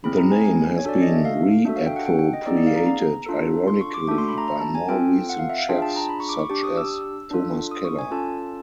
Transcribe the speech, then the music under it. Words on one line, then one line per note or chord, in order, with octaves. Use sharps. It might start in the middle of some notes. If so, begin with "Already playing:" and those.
The name has been reappropriated ironically by more recent chefs such as Thomas Keller.
C4 E4 G#4 B5
A#5
G#5
G#5
C#5
D4 F#4 A4 D5
D#5
E5
F5
D4 F#4 A4 E5
F5
G5
F#5
G5
G5
D#5
B3 D#4 G#4 D5
D5
F5
A#5
A#5
D4 F4 A4
C6
C#6
D6
A3 D4 F#4 A4 D6
C6
B5
A#5
A#5
A5
G#5
C4 F4 A4 G5
F#5
F5
E5
F5
D4 F4 G#4 G5
A5
A#5
B5
C#6
D6
C#6
D4 G4 D6
D#6
E6
D4 F4 A4
D#6
C#6
G#5
C#4 F4 A4 A5